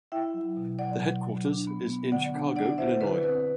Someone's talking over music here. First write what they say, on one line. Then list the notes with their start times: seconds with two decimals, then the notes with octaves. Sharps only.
The headquarters is in Chicago, Illinois.
0.12 E4 E5 G5
0.34 F#3
0.57 B2
0.79 F#3 D5 F#5
1.00 B2
1.23 F#3
1.45 D4
1.67 B3
1.90 B3
2.12 D3 D5 F#5
2.34 D4
2.56 D4 D5 F#5
2.78 E4 C5 E5
3.00 D3 B4 D5
3.22 C4 B4 D5